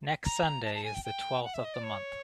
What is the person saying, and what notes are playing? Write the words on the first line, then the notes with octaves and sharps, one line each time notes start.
Next Sunday is the twelfth of the month.
A#5
A5
A5
G#5
G5
G5
F#5
E5
D#5
D5
C#5